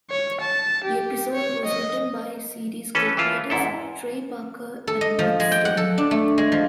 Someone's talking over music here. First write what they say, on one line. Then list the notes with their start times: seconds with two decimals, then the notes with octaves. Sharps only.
The episode was written by series co-creators Trey Parker and Matt Stone.
0.10 C#5
0.41 A5
0.84 G4
1.34 C#5
1.65 D#5
2.95 E3 C#4 A4 B4
3.17 E3 E4 F4 A5
3.50 E2 G#2 E4 A4
4.87 A4
5.01 D#5
5.19 F3
5.40 G#3
5.52 G5
5.65 F#5
5.77 A4
5.98 D4
6.11 A3
6.38 G#3
6.52 F3